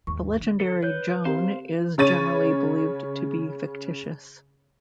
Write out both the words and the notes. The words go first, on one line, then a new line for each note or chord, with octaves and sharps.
The legendary Joan is generally believed to be fictitious.
D#2 G#2 C#6
D3
A4
B4 C#5 G6
C4 G4 A#4 C5 F5 C6
C#3 C#5 A6 D#7